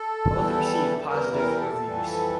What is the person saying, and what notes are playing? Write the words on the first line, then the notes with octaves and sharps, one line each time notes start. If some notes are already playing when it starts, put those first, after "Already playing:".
Both received positive reviews.
Already playing: A4
E2 E3 G3
E2 E3 G3 A#4
A#4
A4
F2 E3 G3